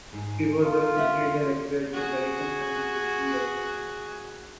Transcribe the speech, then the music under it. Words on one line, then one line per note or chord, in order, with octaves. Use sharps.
She was the associate director at the American Conservatory of Music.
G#2
F4 A4
C#4 E5 F#5
F#4 G#4